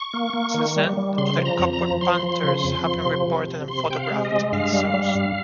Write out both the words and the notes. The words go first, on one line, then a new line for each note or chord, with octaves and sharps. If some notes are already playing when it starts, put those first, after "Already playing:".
Since then, other "cobweb panthers" have been reported and photographed in zoos.
Already playing: C#6
A#3
A#3
D#3
G3
G3
C#3 C6
F3
A#5
F2
A#5
F3
F3 C6
F3
C#3
F2
F3
C3
C3
C3
C3 C6
C3 G5
F5
G#3
D#5
G#3
G2 F5
G3
G3
G2